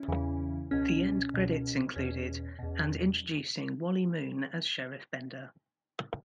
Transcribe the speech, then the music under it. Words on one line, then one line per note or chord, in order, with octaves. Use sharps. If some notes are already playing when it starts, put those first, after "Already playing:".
The end credits included: And Introducing Wally Moon as Sheriff Bender.
Already playing: C#4 E4
E2 C#3 E3
C#2 B2 C#4
C#2 B2
E2 B2 C#4
E2 B2